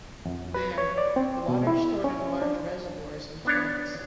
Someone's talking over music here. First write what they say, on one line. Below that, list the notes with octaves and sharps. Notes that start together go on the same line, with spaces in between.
There, the water stored in large reservoirs and tanks.
F2
B4
C#5
D5
C4
B2
E4
C#4
D4
B3 D4 C#5